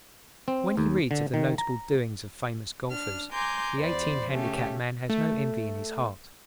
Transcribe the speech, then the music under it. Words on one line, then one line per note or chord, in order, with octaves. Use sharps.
When he reads of the notable doings of famous golfers, the eighteen-handicap man has no envy in his heart.
C4
D#2
D3
D#3
A#5
D4 F6
G#5 A#5 C6 D6 G6
E2 C5 D5 B5
C#3 A3 C#4 G4
A3